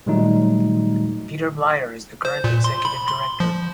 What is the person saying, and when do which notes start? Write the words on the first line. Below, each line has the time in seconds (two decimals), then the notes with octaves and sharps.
Peter Bleyer is the current Executive Director.
0.06 A#2 D#3 F#3 G3 A3 D#4
2.25 C5
2.44 A#2
2.64 C6
2.85 B5
3.08 C6
3.40 F3